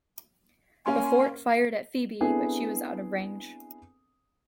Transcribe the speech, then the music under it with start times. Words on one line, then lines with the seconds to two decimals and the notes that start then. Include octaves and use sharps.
The fort fired at "Phoebe", but she was out of range.
0.86 A#3 C#4 G#5 C6
2.21 B3 C4 D4 E4 G#4 A4